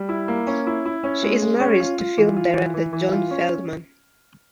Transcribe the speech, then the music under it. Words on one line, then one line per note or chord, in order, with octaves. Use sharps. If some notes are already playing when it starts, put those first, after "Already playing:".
She is married to film director John Feldman.
Already playing: G3
E4
A#3
C#4
E4
E4
C#4
G#3
G#3
C#4
F4
F4
E3
F4
E3
E3
E3
F4
C#4